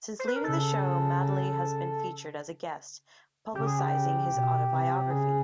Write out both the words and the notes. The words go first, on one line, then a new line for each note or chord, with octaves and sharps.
Since leaving the show, Madeley has been featured as a guest, publicising his autobiography.
C5
B4
A#4
C#3 A4
C#3 G4
G#4
G4
B2
C3
C#3 G#4